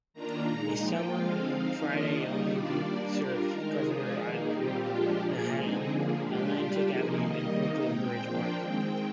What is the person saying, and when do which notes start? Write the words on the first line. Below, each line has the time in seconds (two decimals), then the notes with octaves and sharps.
A summer Friday-only loop serves Governors Island, Manhattan, Atlantic Avenue, and Brooklyn Bridge Park.
0.14 D#3 A#3 D4 F4 A#5
0.47 A#2 G#3 D#4
0.81 F3 A#3 F4 G5
1.14 D3 F3 G#3 C4 F4 F5
1.49 F3 C4 D#4
1.82 D#3 A#3 D4 F4 D#5
2.16 D#3 G3 A#3 D#4
2.49 D#3 G3 D4 F4 D5
2.83 G3 A#3 D4
3.16 G3 D4 F4 A#4
3.51 D#3 G#3 D#4
3.84 F3 G#3 D4 F4 G#4
4.18 D#3 A#3 D#4
4.51 A#2 G3 C4 F4 G4
4.85 A#2 F3 G#3 D4 F4
5.19 A#2 F3 A#3 G#4
5.52 D3 G#3 C4 D#4
5.87 D3 F3 A#3
6.20 A#2 G#3 D4 F4 G4
6.54 G3 D4 F4
6.87 C3 F3 A#3 D#4 G#4
7.21 D#3 G3 A#3 D#5
7.55 C3 D#3 A#3 D#4
7.89 A#2 G#3 C4 G5
8.23 F3 A#3 D4 F4
8.56 D#3 G#3 C4 G5